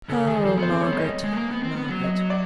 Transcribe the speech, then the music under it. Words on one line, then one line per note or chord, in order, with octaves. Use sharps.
Oh, Margaret, Margaret!
C#3 A4
D#3 G#4
F3 A4
B3
C5
C4
C#5
B3
G#3
G3 D#5
G#3
A3
A#3
B3
C4
B3
F#3
D#5
D5